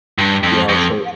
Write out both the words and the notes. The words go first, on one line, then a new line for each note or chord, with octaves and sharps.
you know? So
G2
F2
F2